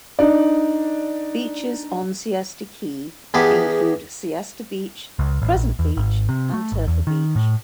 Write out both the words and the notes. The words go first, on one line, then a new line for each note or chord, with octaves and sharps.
Beaches on Siesta Key include Siesta Beach, Crescent Beach, and Turtle Beach.
D4 D#4 D5
E2 B3 G4 G#4 B4 A5
C#2
A1
A#1
E2
G#1
C3
A3
G#1
E2
D#3
A2